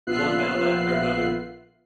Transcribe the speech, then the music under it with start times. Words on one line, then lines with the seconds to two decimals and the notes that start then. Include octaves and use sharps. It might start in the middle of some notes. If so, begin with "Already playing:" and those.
One Battle After Another?
0.07 A#1 B3 F4 E5 F#6 C7